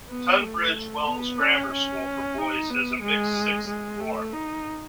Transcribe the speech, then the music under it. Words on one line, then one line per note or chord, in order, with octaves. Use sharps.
Tunbridge Wells Grammar School for Boys has a mixed sixth form.
B3
A3
B3
C#4
C#4
D#4
B3
G#3
G#3
A3
D#4